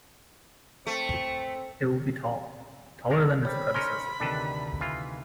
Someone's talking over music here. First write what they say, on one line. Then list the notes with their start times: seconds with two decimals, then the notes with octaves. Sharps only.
It will be tall, taller than its predecessor.
0.87 A3 C4 C#6
3.10 D4 A#4 C#5
3.45 G3 C5 C#5 B5
3.74 C#4 D#4 A#4 C6 F6 C#7
4.20 D2 C3 D#3 D4 A4 B4
4.81 E3 F4